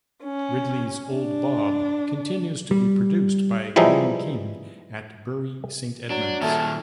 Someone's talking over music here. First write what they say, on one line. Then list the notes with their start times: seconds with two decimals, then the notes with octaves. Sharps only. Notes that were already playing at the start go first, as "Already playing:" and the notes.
Ridley's Old Bob continues to be produced by Greene King at Bury Saint Edmunds.
0.24 C#4
1.11 D4
2.71 G3
3.76 E3 F3 G3 G#3 D#4 E4
6.10 F#3 D4
6.42 A#2 D#3 E4 G#4 A4 A5